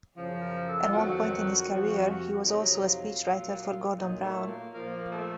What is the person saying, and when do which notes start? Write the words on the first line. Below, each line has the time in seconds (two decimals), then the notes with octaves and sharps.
At one point in his career he was also a speechwriter for Gordon Brown.
0.17 F#2 C#3 F3
0.42 A#4
0.67 A4
0.83 F4
0.93 F2 D#3 F#3 F#4
1.68 F2 C3 F3
2.44 F2 C3 F#3 D#4
2.83 F4
3.21 A#2 F#3
3.97 A#2 F#3 D#4
4.22 A3
4.48 A#3
4.73 A#2 F3 A#3
5.12 A3